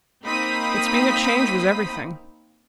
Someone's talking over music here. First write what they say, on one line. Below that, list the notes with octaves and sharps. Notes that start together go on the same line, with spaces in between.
Its being a change was everything.
A#3 C4 D#4 B5 D#6 B6